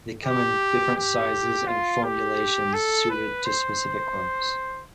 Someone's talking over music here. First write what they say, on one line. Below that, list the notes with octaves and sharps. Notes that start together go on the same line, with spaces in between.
They come in different sizes and formulations suited to specific crops.
G4
G4
F4
G4
A4
B4
C5